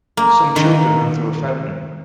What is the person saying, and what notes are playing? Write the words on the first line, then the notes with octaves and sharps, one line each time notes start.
Some children run through a fountain.
A#3
D#3